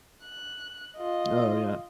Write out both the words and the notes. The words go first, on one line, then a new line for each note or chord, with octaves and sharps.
Oh, yeah.
F#6
F4 D#5